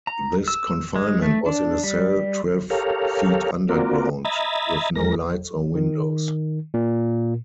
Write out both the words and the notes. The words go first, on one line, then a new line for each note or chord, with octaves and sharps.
This confinement was in a cell twelve feet underground, with no lights or windows.
A#5
E6
G#3
A3
D4
G3
G4 A4 A#4 C#5 F5
A#3 C4 F4 F#4 A#4 D5
D#5 E5 A#5 B5 G#6 A6
E2 G#3 A#4 A#6
D#3
A#2